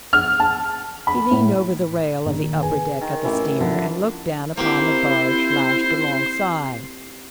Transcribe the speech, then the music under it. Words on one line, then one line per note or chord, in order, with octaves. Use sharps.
He leaned over the rail of the upper deck of the steamer and looked down upon the barge lashed alongside.
F6
A5
B5
A2
A#1 A#2 D#3
G#4 B4 G#5
D#3
A1 E3
D3 F3
A#3 C4 E4 G4 C5